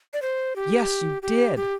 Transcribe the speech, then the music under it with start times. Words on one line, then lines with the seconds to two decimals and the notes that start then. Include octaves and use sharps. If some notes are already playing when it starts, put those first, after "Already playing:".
"Yes, you did."
0.13 D5
0.22 C5
0.56 G4
1.22 G4
1.56 G4